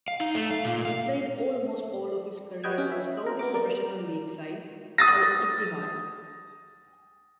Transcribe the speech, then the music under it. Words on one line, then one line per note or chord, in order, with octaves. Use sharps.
He played almost all of his career for Saudi Professional League side Al Ittihad.
F5
D#4
A3
F5
A#2
F5
G3 F#4 B4 D#5 G5 G#6
C#4
E5
A#4
B3 A#4 D6
A#3 A#4 D5
D#6 A6 A#6